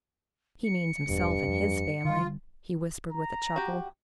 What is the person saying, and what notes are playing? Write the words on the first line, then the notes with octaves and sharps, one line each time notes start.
"He means himself and his family," he whispered with a chuckle.
C#7
E1 E2 G2
F2
D3 G3 F4
A#5
F#4 G4